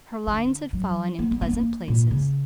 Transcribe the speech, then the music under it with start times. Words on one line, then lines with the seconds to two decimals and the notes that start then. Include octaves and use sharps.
Her lines had fallen in pleasant places.
0.27 D3
0.73 F#3
1.19 A#3
1.31 B3
1.42 B3
1.53 A#3
1.88 A#2
2.11 C#3